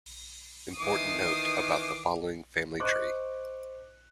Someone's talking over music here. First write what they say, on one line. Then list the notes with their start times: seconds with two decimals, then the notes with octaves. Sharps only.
Important note about the following family tree.
0.78 D#3 E3 D6 D#6 C7
2.80 C5 D#5 C#6 D6 F#6